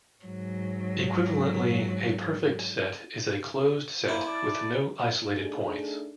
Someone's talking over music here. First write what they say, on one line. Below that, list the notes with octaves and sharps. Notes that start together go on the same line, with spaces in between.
Equivalently, a perfect set is a closed set with no isolated points.
G#2 F#3
A#3 E4 C5
D5 A5 D6
A3 D4 D#4 G#4